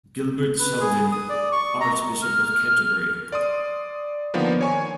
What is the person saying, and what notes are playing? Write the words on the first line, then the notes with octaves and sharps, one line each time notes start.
Gilbert Sheldon, Archbishop of Canterbury.
B4
G#4
D#6
D5
C#6
A#5
F6
D5 C6 D#6
D3 D#3 F3 A#3 B3
C#5 G#5 C#6